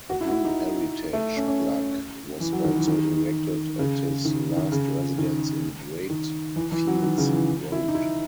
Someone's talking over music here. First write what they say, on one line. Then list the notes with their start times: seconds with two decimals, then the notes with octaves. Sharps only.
A blue heritage plaque was also erected at his last residence in Greatfields Road.
0.10 F#4
0.21 E4
0.28 F#4
0.33 E4
0.45 D#4
1.13 A3
1.36 C#4
1.48 C#4
2.40 E3
2.53 F#3
2.64 D#3
2.75 E3
2.87 D#3
3.79 C#3
4.25 D#3
4.57 D#3
4.72 C#3
5.18 D#3
6.10 D#3
6.56 E3
6.72 E3
6.87 F#3
7.03 D#3
7.18 C#3
7.33 E3
7.72 E4
7.88 D#4
7.95 E4